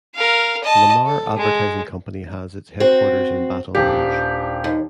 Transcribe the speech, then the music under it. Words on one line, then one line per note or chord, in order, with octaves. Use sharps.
Lamar Advertising Company has its headquarters in Baton Rouge.
A#4 F5
D#5 A5
A4
G#3
C4 F#4
D#1 D4 G4
D#2